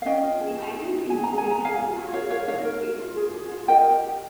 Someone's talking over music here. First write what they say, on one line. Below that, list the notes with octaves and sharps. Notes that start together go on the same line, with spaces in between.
The items can be connected in a manner similar to dataflow programming.
F5
C#4 D#5 G5
F4
G#4
G4
D#4
D#4
G#4 G#5
G#4 A#5
G#5
G#4
A#5
G#4 F5 G#5
F4
F4
A#4 C#5 F5
A#4 C#5 F5
D#4 C#5 F5
A#4
A#4
F4
G#4
G#4
F4
A#4 D#5 G5
G4
G4